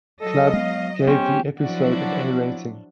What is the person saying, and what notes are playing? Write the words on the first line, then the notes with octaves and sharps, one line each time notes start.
Club gave the episode an A rating.
F#3 A4 D#5
G#3 B3 F5
B3 C#4 G4 C5
F3 F#3 D4 E4 F#4 D5